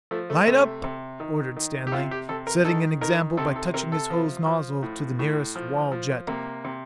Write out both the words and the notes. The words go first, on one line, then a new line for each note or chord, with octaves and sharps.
"Light up!" ordered Stanley, setting an example by touching his hose nozzle to the nearest wall jet.
F3 A3
A3
C3 A3
C3
D#3
D#3
G4
C3 F4
G4
C3 A4
A#4
D#3 A4
D#3 A#4
C3 A4
A4
C3 A#4
A4
F3
F3
A2
A2
F3
F3
C3 A#3
C3